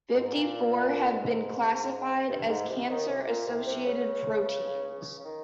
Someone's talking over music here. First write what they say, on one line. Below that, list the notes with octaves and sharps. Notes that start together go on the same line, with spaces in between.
Fifty-four have been classified as cancer associated proteins.
G#2
A#2
G#2
G2
G#2
C2 C3
D#2 D#3
C2 C3
A#2
C2 C3
C2 C3
C#2 C#3
C#3
D#3